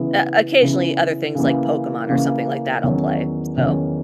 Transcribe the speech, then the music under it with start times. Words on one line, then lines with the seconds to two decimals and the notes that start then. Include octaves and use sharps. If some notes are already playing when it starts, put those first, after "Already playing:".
uh, occasionally, other things like Pokemon or something like that, I'll play, so
Already playing: C#3 E3 B3 E4
0.62 C#3 E3 B3 E4
1.35 C#3 E3 A#3
2.09 C#3 E3 A#3
2.84 E2 D#3 F#3 C#4
3.57 E2 D#3 F#3 C#4